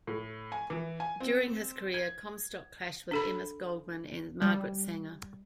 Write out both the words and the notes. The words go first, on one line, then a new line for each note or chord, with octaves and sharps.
During his career, Comstock clashed with Emma Goldman and Margaret Sanger.
A2
G#5
E3
G#5
C4
G#6
D4 A4 B5
G3